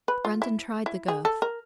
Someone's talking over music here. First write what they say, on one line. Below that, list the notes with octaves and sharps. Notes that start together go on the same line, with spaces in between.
Brandon tried the girth.
B4
F4
E4
E4
G#4
A4
A#4